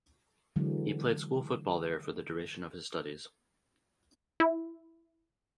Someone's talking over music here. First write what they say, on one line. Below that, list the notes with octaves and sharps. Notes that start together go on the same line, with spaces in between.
He played school football there for the duration of his studies.
D3 E3 F#3 G#3
E4